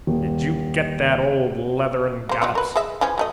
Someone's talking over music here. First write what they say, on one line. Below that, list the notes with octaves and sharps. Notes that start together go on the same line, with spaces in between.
Did you get that, old Leather-and-Gallops?'
D#1
A#3 C5
F#3 G3 F4
A#4 B4
G#4 D#5 E5
E3 F3 C#4
F#3 A3 D#5